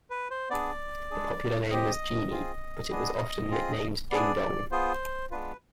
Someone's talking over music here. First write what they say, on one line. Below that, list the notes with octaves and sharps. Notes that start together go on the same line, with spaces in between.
The popular name was "Genie", but it was often nicknamed "Ding-Dong".
B4
C5
B3 D4 G#4 D5
G#3 D4 G#4
C4 G4 D#5
C4 F4 G#4
B3 D4 G#4
C4 F4 G#4
B3 D4 G#4 D5
B3 F4 G#4 C5
G#3 B3 D4 F4 B4